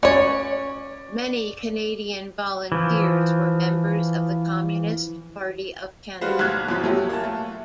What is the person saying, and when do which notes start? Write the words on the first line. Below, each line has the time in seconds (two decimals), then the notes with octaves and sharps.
Many Canadian volunteers were members of the Communist Party of Canada.
0.03 C#4 C#5 D5
2.72 E3 F3
6.21 G3 G#3 F#4 B4 C5 F5
6.39 B1 A2 F6 F#6 G#6
6.68 F#2 B2 F3
6.84 F#3 A3 G4
7.09 A#3 A5
7.24 A3